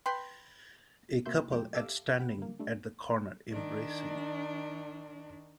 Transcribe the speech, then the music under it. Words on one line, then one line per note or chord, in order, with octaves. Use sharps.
A couple at standing at the corner embracing.
B4 G5 B5 C6
C3 A#3 F#4 E5 C6 G6
F2 A#2 F3 G#3 G5
G4 A4 E5 F5 D6 E6
F#5 G5 B5
D3 A#3
G3 A3 D4
D#3 D4